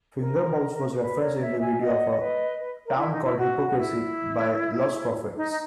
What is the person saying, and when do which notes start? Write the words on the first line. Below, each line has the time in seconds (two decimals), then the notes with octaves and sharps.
Fingerbobs was referenced in the video of "A Town Called Hypocrisy" by Lostprophets.
0.21 A#4
1.00 B4
1.20 A#4 C#5
1.40 C#5 E5
1.60 E5 G#5
1.79 D#5 F#5
2.19 B4 D#5
2.59 B4
2.85 A#4
2.99 E4
3.12 D#4
3.25 E4
3.38 F#4
3.78 E4
5.37 D#4
5.52 D#4